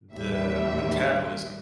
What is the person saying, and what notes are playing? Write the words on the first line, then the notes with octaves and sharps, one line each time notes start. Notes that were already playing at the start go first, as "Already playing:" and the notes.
the metabolism.
A1 D#2 G3 E5